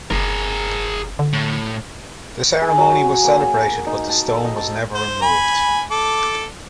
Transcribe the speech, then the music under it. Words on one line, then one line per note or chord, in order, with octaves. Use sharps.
The ceremony was celebrated but the stone was never removed.
F#1 G#4 A#4
D3
A2
G#4
F#3
F#4
G#5
A#3
G#4
A#5
D#4
A5
A4
D#5
A5
C5
G#5 B5
A4 D6